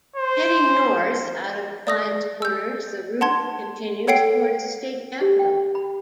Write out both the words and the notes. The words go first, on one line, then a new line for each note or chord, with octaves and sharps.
Heading north out of Clines Corners, the route continues towards the state capital.
C5
D5 D#6 A#6
E6 G6
F#5 A5 C6 G#6
A4 C#5 F#5 G5 C7 D7
G4
G5
B5